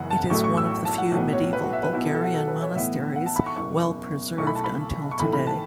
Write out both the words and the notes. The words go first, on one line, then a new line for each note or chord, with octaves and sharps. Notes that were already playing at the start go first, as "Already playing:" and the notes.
It is one of the few medieval Bulgarian monasteries well preserved until today.
Already playing: F#1 F#2 C#3 E3 F#5
A5
A1 A2 F#3 A3 E4 C#6
C#6
E6
C#6
A5
F#5
B1 A2 F#3 B3
C#5
B4
F#4
E5
B4
B1 B2 B3 E4 F#4
A4
A4
F#4
A4
B4
C#5
A2 E3 B3 E4 E5
F#5
A5
B5
C#6
F#1 E2 B2 C#6
B1 B2 A3 E4 C#6
B5
A5
B5
C#6
B1 A2 E3 A3 B5
B5
A5